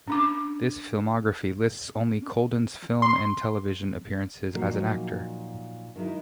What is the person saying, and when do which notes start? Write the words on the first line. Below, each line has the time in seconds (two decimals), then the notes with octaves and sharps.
This filmography lists only Kolden's film and television appearances as an actor.
0.08 C#4 D4 D6
3.02 C6
4.53 A#2 F3 F#3 D#4 F#4
5.96 D#3 F#3 G#3 D#4 E4